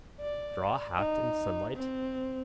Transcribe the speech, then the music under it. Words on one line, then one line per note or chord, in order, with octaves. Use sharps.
Straw hat in sunlight.
D5
D#4
C4